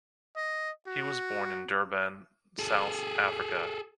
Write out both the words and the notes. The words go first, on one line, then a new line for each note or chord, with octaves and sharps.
He was born in Durban, South Africa.
D#5
F#4
G#4 A4